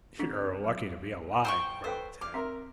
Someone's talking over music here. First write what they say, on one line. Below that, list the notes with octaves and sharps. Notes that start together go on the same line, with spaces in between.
"You're lucky to be alive," growled Tad.
D3 C4 D4
F#3
C5 G5 C#6
A4 B4 C5 G5
F5 D6
C4 A#4 E5 C6